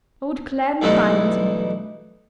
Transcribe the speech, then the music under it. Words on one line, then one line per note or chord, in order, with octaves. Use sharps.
I would gladly finance him.
B1 G2 E3 A3 D#4